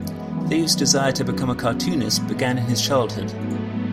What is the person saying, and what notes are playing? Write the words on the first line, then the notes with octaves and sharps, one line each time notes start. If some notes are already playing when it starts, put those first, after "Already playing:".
Thaves' desire to become a cartoonist began in his childhood.
Already playing: F#2 E3 G#3 B3
F#2 D#3 F#3
E2 C#3 F#3 B3
A2 G#3
G#2 F#3 A3
B3